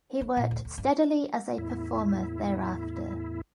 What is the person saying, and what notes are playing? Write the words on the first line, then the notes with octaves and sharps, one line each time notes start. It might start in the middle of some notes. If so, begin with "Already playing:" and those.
He worked steadily as a performer thereafter.
D4
A#2
D2
D2
G2
E2 A2 E4